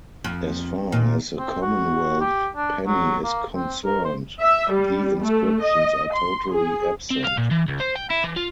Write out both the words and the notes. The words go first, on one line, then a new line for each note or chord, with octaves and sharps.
As far as the Commonwealth penny is concerned, the inscriptions are totally absent.
F2
A#2
C4
F#4
G4
D4
F#3
A#3
C4
A#4
C5
E5
G3
A3
D#5
C6
G#4
C4
F5
A#2
E3
C#2
C5
G5
E4
E3
F4